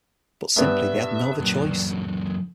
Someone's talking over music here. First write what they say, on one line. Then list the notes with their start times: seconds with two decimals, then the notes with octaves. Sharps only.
But simply they had no other choice.
0.57 G2 B3 E5
1.40 C#2 F#2